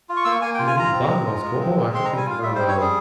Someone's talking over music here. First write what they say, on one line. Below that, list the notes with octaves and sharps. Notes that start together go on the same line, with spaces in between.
Me uh, dodgeball's cool Oh, I could think about, uh
F4
C#6
A#3 E6
C#6
A#3 G#5
G5
F4
G#5
F4 A#5
C4
G#3
F4
G#3
C4
G#3
C4 C6
A#5
G3
G#5
F4 F5
G3 E5
C5
C4
C#5
G3 G#4